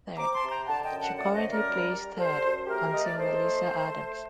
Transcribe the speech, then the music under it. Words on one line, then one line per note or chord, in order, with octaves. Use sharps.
She currently plays third on Team Melissa Adams.
C4 A#5 D6
A5 C6
C3
G5 A#5
D3 F#5 A5
D#5 G5
F#2
F#5 A5
A3 D5 F#5
C5 D#5
F#2
A#4 D5
G3
G3
G3 A4 C5
F#2
A3 G4 A#4
A3 D#5
D5
D#4 A4 C5
A3
A3
A3